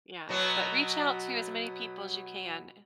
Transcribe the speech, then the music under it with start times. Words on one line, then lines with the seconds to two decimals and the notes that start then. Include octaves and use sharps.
Yeah. But reach out to as many people as you can.
0.29 B2 F#3 B3